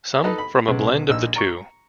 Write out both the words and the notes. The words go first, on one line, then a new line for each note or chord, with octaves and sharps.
Some from a blend of the two.
D#4 A4 B4 D#5
B5
B1 C#3
A#1 D#4 E6
A#5 C#6